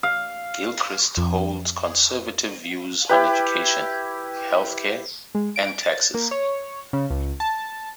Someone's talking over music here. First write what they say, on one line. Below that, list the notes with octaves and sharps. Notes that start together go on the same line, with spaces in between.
Gilchrist holds conservative views on education, health care, and taxes.
F5
F2
E4 G4 B4
G#3
D7
A6
A#3
C#5
C#3
C#2
A5